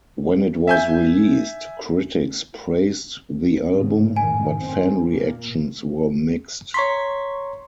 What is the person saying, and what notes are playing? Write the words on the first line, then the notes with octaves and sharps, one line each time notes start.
When it was released, critics praised the album, but fan reactions were mixed.
E5 G#5 G6
G#2 C#3
F#1 A2 D#3 G#5
C4
A#2 A#3
C#5 A#5 C6 C#6 B6